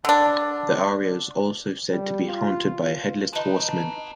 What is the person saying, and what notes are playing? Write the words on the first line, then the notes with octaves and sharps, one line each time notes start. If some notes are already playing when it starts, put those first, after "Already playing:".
The area is also said to be haunted by a headless horseman.
D3 D4
G3
F4
D#4 B4 D#5 A5